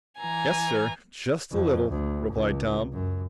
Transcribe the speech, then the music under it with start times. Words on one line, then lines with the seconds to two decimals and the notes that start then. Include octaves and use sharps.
"Yes, sir--just a little," replied Tom.
0.20 E3 G#5 A#5
1.51 F2
1.90 D2
2.32 C#2
2.93 F#2